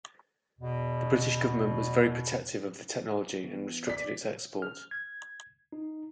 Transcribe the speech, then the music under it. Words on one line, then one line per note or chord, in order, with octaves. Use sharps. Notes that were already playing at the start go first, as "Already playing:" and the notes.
The British government was very protective of the technology and restricted its export.
E2 B2
E3 B3
D5 B6
F6
G#6
D#4